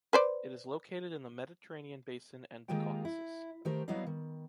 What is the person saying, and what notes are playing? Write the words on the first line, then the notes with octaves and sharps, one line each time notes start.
It is located in the Mediterranean Basin and the Caucasus.
B4 C5 D5
D#3 G#3 A#3 F4 G4 G5
E4
D#3 A3 G4 A#4 C5
F#3 G3 B3 E4 D#5 F5
D#3